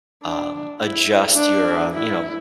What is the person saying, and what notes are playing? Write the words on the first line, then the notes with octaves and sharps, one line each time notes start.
um, adjust your, um, you know,
D4
E4
D4
E4